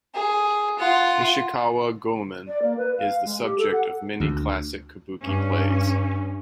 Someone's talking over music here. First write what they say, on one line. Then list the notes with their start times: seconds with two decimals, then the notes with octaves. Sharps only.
Ishikawa Goemon is the subject of many classic kabuki plays.
0.15 G#4
0.79 F4 F#5
2.47 D5
2.62 A#3
2.77 B4
2.97 F5
3.25 G#3
3.41 G4
3.58 A4
3.72 F#5
4.20 D2
5.21 G2 C#4